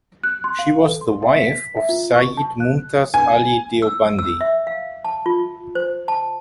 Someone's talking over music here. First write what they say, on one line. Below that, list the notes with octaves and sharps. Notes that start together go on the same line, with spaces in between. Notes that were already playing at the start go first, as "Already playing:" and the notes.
She was the wife of Sayyid Mumtaz Ali Deobandi.
F#6
C6
F5
A4
C6
E5
B6
E5
F4
C#6
A5
F#6
G#5
E6
E6
E5
F5
A5
F4
C5
A5